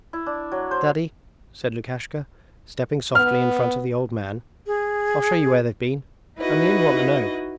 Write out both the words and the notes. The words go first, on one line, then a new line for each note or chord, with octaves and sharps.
Daddy,' said Lukashka, stepping softly in front of the old man; 'I'll show you where they've been--I'm the only one that knows.
E4
D4
F#3
C5
B3 F6
G#4
D#4 E4 F#4 B4 D#5